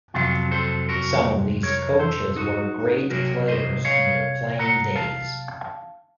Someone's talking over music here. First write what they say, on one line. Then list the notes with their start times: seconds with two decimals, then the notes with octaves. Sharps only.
Some of these coaches were great players in their playing days.
0.14 F2 C3 F#3 F4
0.51 A4 C5
0.89 F#4 A#4
1.63 A#4 C#5
1.99 A4 C5
2.36 D#4 F#4
3.10 C3 F#3 A#3 F#4 A#4
3.48 C5 D#5
3.85 C#5 F5
4.59 F#5 A#5
4.96 F5 A5